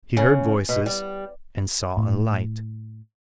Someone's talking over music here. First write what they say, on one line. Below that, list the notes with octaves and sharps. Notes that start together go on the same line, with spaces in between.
He heard voices and saw a light.
C#3
B2
G3
A2